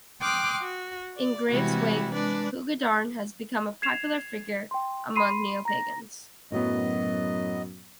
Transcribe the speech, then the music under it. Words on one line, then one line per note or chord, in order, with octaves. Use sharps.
In Graves' wake, Hu Gadarn has become a popular figure among Neopagans.
G5 C6 D6 D#6 F6 F#6
F#4
D5
C3 E3 G3 G#3 E4 F#4
G#3 D4 B4 D5
G#6 C7 E7 F7
G5 C6
B5 C6 C7 D#7
A#5 A#6
F#2 A2 F#3 B3 D#5